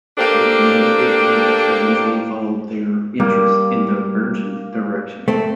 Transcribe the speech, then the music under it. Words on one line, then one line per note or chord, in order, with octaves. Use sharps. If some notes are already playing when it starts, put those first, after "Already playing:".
The Connecticut Wits eventually followed their interests in divergent directions.
A#3 D4 G4 A4 C5
G3 A#3
A3 C4